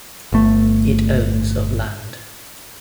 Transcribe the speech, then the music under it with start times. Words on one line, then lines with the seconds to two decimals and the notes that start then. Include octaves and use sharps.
It owns of land.
0.32 G1 A3